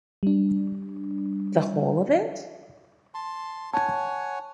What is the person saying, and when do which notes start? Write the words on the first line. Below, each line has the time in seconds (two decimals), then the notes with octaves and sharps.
The whole of it?
0.23 G3 D4
3.14 A5 C6
3.73 C#5 F#5 G#5 A5